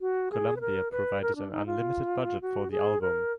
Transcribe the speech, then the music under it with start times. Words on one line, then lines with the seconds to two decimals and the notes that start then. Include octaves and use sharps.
Columbia provided an unlimited budget for the album.
0.01 F#4
0.32 G#4
0.56 B4
0.61 A#4
0.91 B4
1.22 A#4
1.36 D4
1.52 D#4
1.66 F4
2.41 F#4
2.71 G#4
3.01 A#4